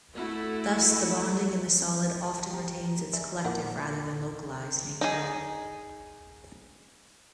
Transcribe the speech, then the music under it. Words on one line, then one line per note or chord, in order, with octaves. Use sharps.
Thus, the bonding in the solid often retains its collective rather than localized nature.
A3 E4 F#4
G4 A#5
G#3 D5 E5
A#2 E4 A#4 F#5 D6
D#4 G#4